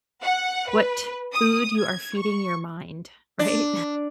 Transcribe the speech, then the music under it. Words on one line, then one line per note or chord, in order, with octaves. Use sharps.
what food you are feeding your mind. Right?
F#5
B4
D#6
G#6
C#6
D4